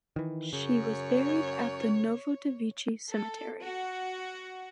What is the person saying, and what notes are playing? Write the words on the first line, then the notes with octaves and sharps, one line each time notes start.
She was buried at the Novodevichy Cemetery.
D#3 E3
F#2 C#3 C#5
A4
F#4